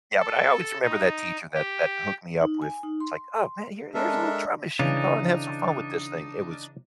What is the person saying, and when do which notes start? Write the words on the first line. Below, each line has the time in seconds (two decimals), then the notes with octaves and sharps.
Yeah, but I always remember that teacher that that hooked me up with it's like, "Oh, man, here here's a little drum machine, go on and have some fun with this thing. It was
0.19 A4
0.83 D#4
1.54 G4
2.41 D#4
2.62 G#5
2.83 D#4
3.00 C6
3.94 G#3 D4 A4 A#4 E5
4.79 C#3 E3 D4 D#4